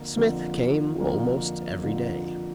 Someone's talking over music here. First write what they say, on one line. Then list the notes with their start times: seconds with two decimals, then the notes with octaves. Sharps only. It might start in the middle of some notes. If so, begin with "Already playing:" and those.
Smith came almost every day.
Already playing: F2 D3 F3 A#3 F4
0.17 F2 D3 F3 A#3 F4
1.00 F2 D3 F3 A#3 F4
1.82 F2 D3 F3 A#3 F4